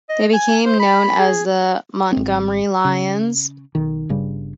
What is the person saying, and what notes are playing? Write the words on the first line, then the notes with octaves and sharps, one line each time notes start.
They became known as the Montgomery Lions.
D#5
G#5
C5
B5
G#4
G#1 C4
C#3
B1 D#3
G1 G2 C#3 G3